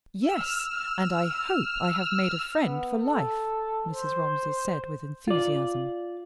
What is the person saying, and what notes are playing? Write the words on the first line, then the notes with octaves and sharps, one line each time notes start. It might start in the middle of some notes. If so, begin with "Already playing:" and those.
"Yes--and I hope I have made a friend for life," Mrs. Romsey said with enthusiasm.
E6 F6
B3
A4
C5
F4 D5